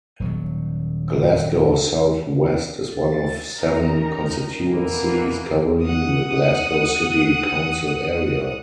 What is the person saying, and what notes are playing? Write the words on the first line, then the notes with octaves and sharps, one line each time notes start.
Glasgow South West is one of seven constituencies covering the Glasgow City council area.
D#1 F#3
A6
D#3 C#4 D#4 A#4 A#5
B2 E3 A#3 B3
F#5 D#6